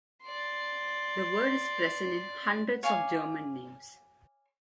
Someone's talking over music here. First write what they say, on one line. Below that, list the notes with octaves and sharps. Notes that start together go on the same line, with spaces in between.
The word is present in hundreds of German names.
D5 C6
C#5 F5 G#5 D6